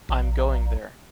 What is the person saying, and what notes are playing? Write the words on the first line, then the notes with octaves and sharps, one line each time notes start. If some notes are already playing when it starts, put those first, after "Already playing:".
I’m going there.
A#1